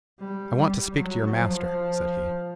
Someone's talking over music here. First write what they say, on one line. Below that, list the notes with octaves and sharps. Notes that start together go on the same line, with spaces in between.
'I want to speak to your master,' said he.
G3
G3
F#3
F3